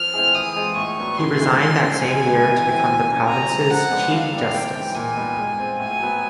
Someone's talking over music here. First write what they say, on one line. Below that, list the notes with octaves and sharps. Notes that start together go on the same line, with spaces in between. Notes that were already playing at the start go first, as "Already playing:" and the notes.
He resigned that same year to become the province's Chief Justice.
Already playing: F3 F6
A3 C4 E4 G#4
E3 D#6
G#3 C4 F4 G#4
A2 C#6
F#3 B3 D4
C#3 C6
E3 G#3 B3
D3 C6
F3 G#3 C#4
B2 G#5
G#3 B3 D#4 G#4
E3
A3 C4 E4 G4
F3
A#3 C#4 F#4
C3 A#5
F3 G#3
F3 F#5
G#3 B3 D4 F4
D3 F5
G3 B3 D4
C3 G5
E3 G#3
A#2 G#5
G3 B3 D#4
G#3
C4 F4 G#4
A2 G#5
F#3 B3